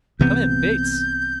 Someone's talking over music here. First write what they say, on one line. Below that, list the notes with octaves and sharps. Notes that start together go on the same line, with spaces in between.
Come in, Bates.
C2 C3 E3 B3 G6